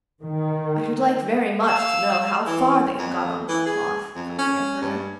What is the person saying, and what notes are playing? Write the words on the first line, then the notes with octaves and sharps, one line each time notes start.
'I should like very much to know how far they have got on with the cloth,' thought the Emperor.
D#3
F5 E6
E3
F2
E3
G#4
F2
C#4
G2